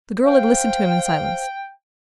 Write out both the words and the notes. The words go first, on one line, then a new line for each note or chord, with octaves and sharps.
The girl had listened to him in silence.
C5 F5 G5